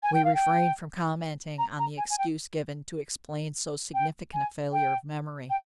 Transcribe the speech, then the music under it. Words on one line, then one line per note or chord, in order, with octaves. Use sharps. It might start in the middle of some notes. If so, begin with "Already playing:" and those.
We refrain from commenting on the excuse given to explain so significant a failure of memory.
G#5
G5
F5
G5
A#5
A#5
G#5
G#5
G5
G5
G#5
G5
G5